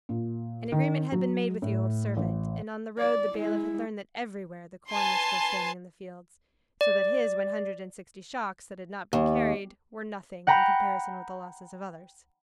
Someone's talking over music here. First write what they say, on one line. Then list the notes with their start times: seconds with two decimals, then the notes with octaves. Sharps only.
An agreement had been made with the old servant, and on the road the bailiff had learned that everywhere the corn was still standing in the fields, so that his one hundred and sixty shocks that had not been carried were nothing in comparison with the losses of others.
0.09 A#2
0.72 D#3
1.12 F#3
1.62 A2
2.17 A1
2.98 D5
3.35 G#3 E4
4.89 B4 G#5 A5 C6
6.81 D5
9.13 D#2
10.47 F#5 G5 A#5 B5